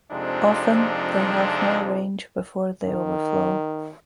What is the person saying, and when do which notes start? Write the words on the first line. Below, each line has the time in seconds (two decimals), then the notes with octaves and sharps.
Often, they have more range before they overflow.
0.11 F2 C3 F3 G#3 D4 D#4
2.85 D#3